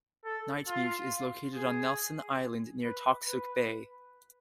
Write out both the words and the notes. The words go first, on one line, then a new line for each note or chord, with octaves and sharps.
Nightmute is located on Nelson Island near Toksook Bay.
A4
F4
G#4
B4
B4